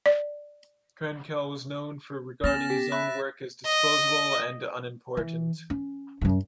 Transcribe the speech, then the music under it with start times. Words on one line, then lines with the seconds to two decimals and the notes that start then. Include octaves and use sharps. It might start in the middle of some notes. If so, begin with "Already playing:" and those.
Krenkel was known for regarding his own work as disposable and unimportant.
0.06 D5
2.44 B3 C#4 F6 A6 A#6 E7
2.70 G4 B6
2.92 E5 B5 F#6
3.65 D#5
5.17 E3
5.70 C#4
6.21 D#1 F#2